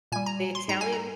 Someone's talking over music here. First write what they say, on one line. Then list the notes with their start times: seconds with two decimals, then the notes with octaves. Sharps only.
The Italian
0.12 A#2 G3 G#5
0.26 A#5
0.55 C6
0.68 G#2 G3 A#5
0.81 G#5
0.93 A#5